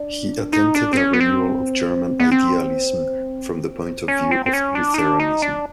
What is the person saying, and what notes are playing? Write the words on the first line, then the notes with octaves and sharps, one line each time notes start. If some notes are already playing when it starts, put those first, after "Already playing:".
He attempted a renewal of German idealism, from the point of view of Lutheranism.
Already playing: D4
D#4
D4
C4
C#4
B3
C4
B3
C4
C#4
C4
C4
C#4
D4
D#4
D4
D#4
D4